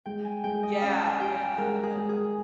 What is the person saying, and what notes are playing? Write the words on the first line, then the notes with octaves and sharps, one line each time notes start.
yeah, yeah, but
G#3 G5
G#5
G#3 G5
D#5
C#4 F5
G#5
G4 G5
G#3 A#4
G#4
G#3
G#4